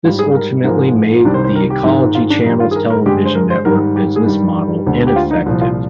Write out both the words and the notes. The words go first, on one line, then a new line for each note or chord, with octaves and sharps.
This ultimately made The Ecology Channel's television network business model ineffective.
G#2 G3 F4
G#4
A#4
G#2 F3 G#3 A#4
C2 C3 D#3 G3 D4
C5
C5
A#4
G4
G#2 D#3 G#3
F4
D4
G2 D#3 G3 D#4
F4
G#4
A#4
A#4
G2 D3 G#3 G4
C5
A#4
C5
G#2 D#3 G3 A#4
G4
G#4
G2 D#3 G3
D2 D3 G#3
G4
F4
D#4
C2 A#2 F3
F4